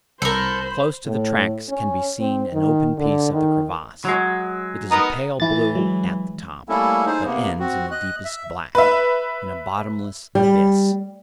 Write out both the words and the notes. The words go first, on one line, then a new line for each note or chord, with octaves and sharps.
Close to the tracks can be seen an open piece of the crevasse; it is a pale blue at the top, but ends in the deepest black -- in a bottomless abyss.
C2 A4 A#4 C5 B5
A2
C#4
C4
D#3
D3
D#3
F#3 G#3
B3 D#4 A#4
E3 E4 A6
F#3 G#3
G3 A3 A#3 C#4 E4 A4
D#4 G#4 C5
C3 A#3 B3
C4 F#4
D#5 F#6
E5
B4 E5
G3